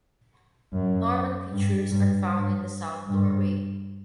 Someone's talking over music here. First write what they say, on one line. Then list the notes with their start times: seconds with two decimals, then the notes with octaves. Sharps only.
Norman features are found in the south doorway.
0.73 F#2
1.51 G2
1.91 G2
2.30 G2
3.08 G2